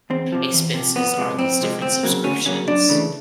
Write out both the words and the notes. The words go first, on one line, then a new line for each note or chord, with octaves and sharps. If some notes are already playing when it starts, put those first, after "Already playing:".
expenses are these different subscriptions.
E2 C4
C3 F3
E2
C3 F3
F2 B3
C3 F3 G#3
F2 C4
C3 F3 G#3
D2 C4
C#3 F#3 A#3
D2 C#4
C#3 F#3 A#3 C#4
F#2 D4
C#3 E3 A3